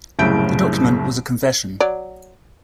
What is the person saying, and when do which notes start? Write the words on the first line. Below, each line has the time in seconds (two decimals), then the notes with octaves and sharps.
The document was a confession.
0.19 F#1 C2 A2 C#3 G6 D7
1.80 F#3 D5